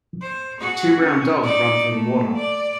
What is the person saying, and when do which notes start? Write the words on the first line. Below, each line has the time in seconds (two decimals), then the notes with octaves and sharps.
Two brown dogs runs through the water.
0.22 C5
0.60 F#4 G#4
1.00 C#4
1.43 D#4 D5
1.91 A3 A#3
2.36 D5